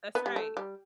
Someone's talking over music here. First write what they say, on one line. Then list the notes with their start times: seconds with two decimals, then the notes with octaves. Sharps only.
That's right.
0.15 B3
0.26 G3
0.36 A3
0.57 G3